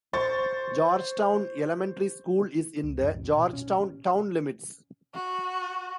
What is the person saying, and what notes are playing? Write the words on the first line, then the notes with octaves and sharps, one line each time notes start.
Georgetown Elementary School is in the Georgetown town limits.
C5 C#6 A6
C#2
F#2
A1
B2
C#4
F#4